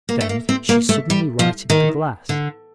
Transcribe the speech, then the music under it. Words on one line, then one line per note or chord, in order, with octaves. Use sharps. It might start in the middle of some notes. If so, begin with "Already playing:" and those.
Then she suddenly righted the glass.
A#3
A3
A#3
C4
A#3
A3
G3
F3
D#3
D3